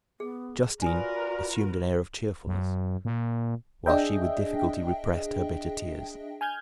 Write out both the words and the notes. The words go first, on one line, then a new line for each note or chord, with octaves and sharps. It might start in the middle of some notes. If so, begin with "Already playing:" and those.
Justine assumed an air of cheerfulness, while she with difficulty repressed her bitter tears.
B3 G#4
F4 F#4 A#4 B4 D5 G#5 D#6
F#2
A#2
D4 G#4 D#5 E5 G5
G#5 F6 G6 G#6